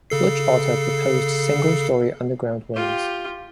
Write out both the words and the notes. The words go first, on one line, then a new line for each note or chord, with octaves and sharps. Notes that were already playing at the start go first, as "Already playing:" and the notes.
"Butch" Otter proposed single-story underground wings.
C#3 A4 C7
F4 G4